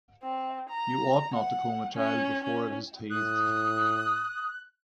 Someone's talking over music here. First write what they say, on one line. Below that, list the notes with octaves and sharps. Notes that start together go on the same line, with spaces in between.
You ought not to comb a child before it has teethed.
C4
A#5
F#5
C#4
C#4
A2 D#6 F#6